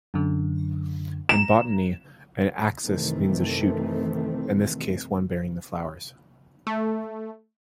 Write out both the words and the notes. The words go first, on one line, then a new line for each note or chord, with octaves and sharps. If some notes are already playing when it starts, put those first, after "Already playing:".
In botany, an "axis" means a shoot, in this case one bearing the flowers.
F#2 D3
A#5 E7
F#2 C3 D#3 E3 A3 C4
A3